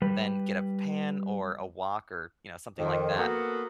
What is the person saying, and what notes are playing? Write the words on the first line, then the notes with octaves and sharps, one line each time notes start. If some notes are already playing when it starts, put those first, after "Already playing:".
then get a pan or a wok or, you know, something like that,
G3 B4
F2 D#3
A#3 B3 F#4 A4